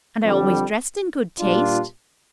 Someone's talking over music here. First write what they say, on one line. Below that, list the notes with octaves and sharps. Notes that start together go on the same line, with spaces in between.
"And I always dressed in good taste."
F2 D3 G3
A#2 G3 D4 F4